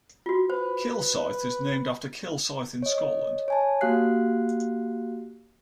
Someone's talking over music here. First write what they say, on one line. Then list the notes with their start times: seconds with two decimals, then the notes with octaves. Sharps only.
Kilsyth is named after Kilsyth in Scotland.
0.26 F4 F#4
0.50 B4 C5
2.82 C#5 D#5
3.48 C#5 G#5 A5
3.81 A#3 F#4 G4 F5 F#6 C7